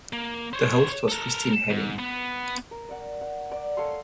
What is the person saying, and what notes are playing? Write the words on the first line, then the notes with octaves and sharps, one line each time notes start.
The host was Christine Henning.
A#3
C5 C#5
A4 A#4
G#2
B3
A#4
D5 F#5
F#5
D5
A4 C#5 F5 C6